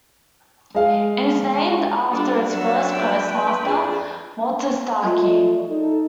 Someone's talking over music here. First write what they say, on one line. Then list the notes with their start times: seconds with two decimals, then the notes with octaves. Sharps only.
It is named after its first postmaster, Walter Starkey.
0.75 G#3 F5
2.11 G3 D4 F4 A4
2.50 F#3 D4 F#4 E5
2.92 B4 G5
3.62 F2 D4 G#4
5.03 F#3 A3 F4 D5 D#5
5.69 D#4 A4